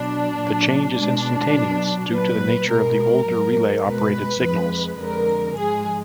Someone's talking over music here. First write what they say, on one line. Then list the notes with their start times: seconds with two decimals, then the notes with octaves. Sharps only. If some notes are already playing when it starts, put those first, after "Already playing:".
The change is instantaneous, due to the nature of the older relay operated signals.
Already playing: B2 F#3 D4
0.39 A#2 F#3
0.96 B2 G#3 D4
1.54 B2 F#3
2.11 A#2 F#3 B4
2.70 B2 G#3 A#4
3.27 G#2 F#3
3.85 B2 G#3 B4
4.42 F2 F3 G#3
5.00 F2 D3 G#3 A#4
5.57 G#2 F3 G#3 G#4